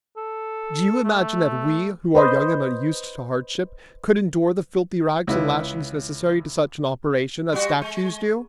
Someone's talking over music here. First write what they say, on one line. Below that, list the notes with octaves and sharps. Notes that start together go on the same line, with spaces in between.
Do you imagine that we, who are young and unused to hardship, could endure the filthy rags and lashings necessary to such an operation, as statues do?
A4
A3
B4 C5 D#5
C#2 E4 B4
G3 F#4
G#3